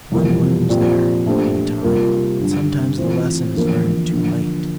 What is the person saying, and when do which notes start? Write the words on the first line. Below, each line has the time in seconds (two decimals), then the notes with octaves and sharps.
One learns there--in time--but sometimes the lesson is learned too late.
0.12 F2 C3 E3 G3 A#3
0.69 A#2 F3 C4 G4 D5
1.26 A#2 A3 D4 G4 C5
1.83 C3 G3 A#3 F4 A#4
2.40 G2 D3 G3
2.97 E3 A3 C4 F4 C5
3.54 E2 D3 F3 A#3
4.11 D3 F3 A#3